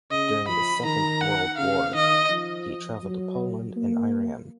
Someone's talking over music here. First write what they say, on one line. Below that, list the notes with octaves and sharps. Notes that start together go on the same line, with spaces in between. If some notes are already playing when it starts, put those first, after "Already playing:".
During the Second World War he travelled to Poland and Iran.
C#3 D#5
F3 B5
D#3 A#5
F#5
C#3 F5
D#3 D#5
F3
F#3
A#3